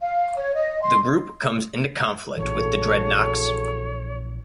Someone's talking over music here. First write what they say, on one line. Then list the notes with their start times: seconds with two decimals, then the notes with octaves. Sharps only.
The group comes into conflict with the Dreadnoks.
0.01 F5
0.37 C#5
0.55 D#5
0.82 C6
2.38 A#1 A#2 C#3 E3 F#3 A4 C#5